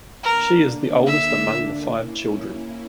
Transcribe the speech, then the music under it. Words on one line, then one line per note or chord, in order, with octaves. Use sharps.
She is the oldest among the five children.
D3 A#3 D4 A#4
E5
A#3 C#4 E4